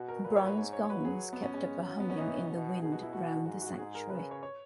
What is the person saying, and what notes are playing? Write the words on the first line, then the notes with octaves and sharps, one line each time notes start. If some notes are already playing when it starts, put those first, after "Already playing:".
The bronze gongs kept up a humming in the wind round the sanctuary.
Already playing: B2 F#4
A#4
A#2 B4
C#5
B4
G#2 C#5
C#5
C#5
F#3 B4
G#4
B3
C#4
G#3 C#4
F#3
B3
C#4
E3 D#4
B2
B2 G#4
F#4
E4
B2 F#4
G#2 F#4
G#4
F#4
G#4
G#2 G#4
A#4
C#3 B4
C#5
C#5